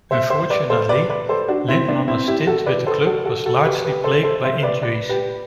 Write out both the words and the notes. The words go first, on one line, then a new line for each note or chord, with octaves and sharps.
Unfortunately, Litmanen's stint with the club was largely plagued by injuries.
C5 E5
C5 E5
B4 D5
A4 C5
B4 D5
B4 D5
A4 C5
D4 F#4
C4 E4
C4
B3 D4
C4 E4
E4 G4
F#4 A4
B4 D5
A4 C5
F#4 A4
F#4 A4
F#4 A4
G4 B4
G4 B4
A4 C5
A4 C5
C5 E5
B4 D5
B4 D5
G4 B4